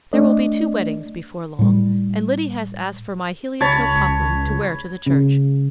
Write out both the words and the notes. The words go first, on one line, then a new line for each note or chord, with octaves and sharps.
There will be two weddings before long, and Liddy has asked for my heliotrope poplin to wear to the church.
A3 D4 D5 D#5
A2 G3
C#2 C#5 A5 B5
C#3